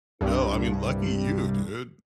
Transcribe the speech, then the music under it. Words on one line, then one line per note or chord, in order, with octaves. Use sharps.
No, I mean, lucky you, dude.
C2 G2